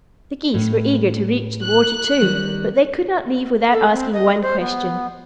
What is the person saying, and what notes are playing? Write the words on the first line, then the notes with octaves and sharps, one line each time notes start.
The Geese were eager to reach the water, too, but they could not leave without asking one question.
A2
F#6
D#3 G3
A4
C4
D#5
C5
B3